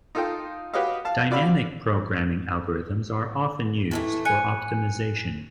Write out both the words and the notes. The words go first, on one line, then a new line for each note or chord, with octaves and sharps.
Dynamic programming algorithms are often used for optimization.
D#4 F4 A4 D#5 G5
F#4 G4 B4 C#5 D#5 F5
F5 A5
F#4 D5 F5 B5 E6
A2 E3 A3 E4
G#5 F#6 C#7 D#7